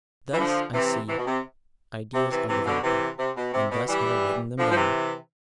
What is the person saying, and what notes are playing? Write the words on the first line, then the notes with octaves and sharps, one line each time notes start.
Thus, I see, ideas are developing, and thus have I written them down.
E3
D3 F3
C3 E3
C3 E3
B2
C3
C3
C3 E3
C3 E3
B2 D3
C3 E3
C3
B2
C3
B2
E3 G3
D3 F3
F3
C3 E3